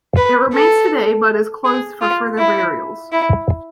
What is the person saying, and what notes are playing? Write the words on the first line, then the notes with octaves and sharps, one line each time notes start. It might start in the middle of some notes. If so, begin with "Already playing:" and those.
It remains today but is closed for further burials.
B4
A4
G#4
F4
E4
E4